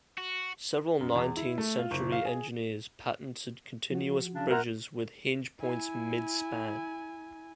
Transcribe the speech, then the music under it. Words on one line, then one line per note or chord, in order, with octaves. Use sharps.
Several nineteenth century engineers patented continuous bridges with hinge points mid-span.
F#4
F#2
E2
E4
A3
F4
F#1
F5
G#4
F3 F#4
C#3 C#4 D4
A#4 E5 F#5 A#5 C6 G6
E4 G#5